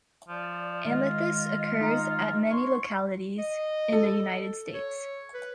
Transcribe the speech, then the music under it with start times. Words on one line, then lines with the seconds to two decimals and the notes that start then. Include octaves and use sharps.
Amethyst occurs at many localities in the United States.
0.29 F3 D5
0.85 D#3 G#3 F4 D#5
1.80 D#4 A#5 C#7
2.50 C#5 C6
3.38 D#5
3.92 A4
4.74 C#5
5.34 B4